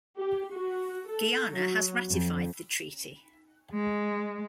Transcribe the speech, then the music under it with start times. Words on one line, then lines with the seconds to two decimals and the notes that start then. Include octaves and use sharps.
Guyana has ratified the treaty.
0.17 G4
0.54 F#4
1.08 A4
1.54 F#3
2.08 F2
3.73 G#3